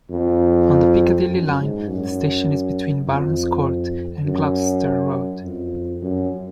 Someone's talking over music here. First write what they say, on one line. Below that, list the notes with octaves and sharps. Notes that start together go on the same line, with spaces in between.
On the Piccadilly line the station is between Barons Court and Gloucester Road.
F2
F#2
G#2
F#2
F2
F#2
F2
F#2